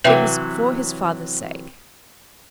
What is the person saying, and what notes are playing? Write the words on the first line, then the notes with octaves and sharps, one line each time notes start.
It was for his father's sake.
C3 E3 F#3 B4 E5 G5